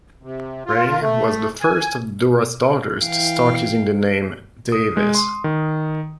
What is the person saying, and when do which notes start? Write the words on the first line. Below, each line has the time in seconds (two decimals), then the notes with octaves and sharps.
Reine was the first of the Douras daughters to start using the name, 'Davies.
0.23 C3
0.66 F4
1.02 A3
1.61 G#5
3.01 E3 F5 G5
4.72 D#6
4.97 G#3
5.15 C6
5.44 D#3